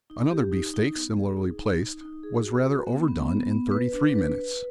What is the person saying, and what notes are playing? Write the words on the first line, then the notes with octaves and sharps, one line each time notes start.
Another beef-steak, similarly placed, was rather overdone in thirty-three minutes.
D#4
G4
D#4
D#4
B3
G#4
D#4
D#4
D#4
D#4
G#4
F#4
F#4
B3
B3
B3
B3
B4
D4
B4
B4